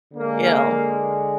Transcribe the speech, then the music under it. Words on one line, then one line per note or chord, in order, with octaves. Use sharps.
you know?
D3 G#3 A#3